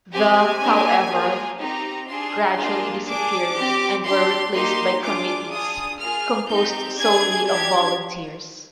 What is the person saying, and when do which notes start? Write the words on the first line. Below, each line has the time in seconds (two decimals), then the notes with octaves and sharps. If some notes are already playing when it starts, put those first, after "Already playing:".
The however gradually disappeared and were replaced by committees composed solely of Volunteers.
0.12 C4 G4 G#5
0.62 A#3 D4 G4
1.10 A#3 F4 G#4
1.58 C4 D#4 G4 A#5
2.07 D4 F4 G#4 C6
2.57 A#3 D4 F4 G#4
3.06 D4 G#4 D6
3.54 C4 G4
4.04 D4 G4 C6
4.52 A#3 D#4 G4 C6
5.01 D4 F4 G#4 D6
5.50 D4 F4 G#4 D#6
5.99 A#3 F4 G#4 F6
6.48 C4 D#4 G4 G6
6.97 D4 G#4 G#6
7.46 D4 G4 G#6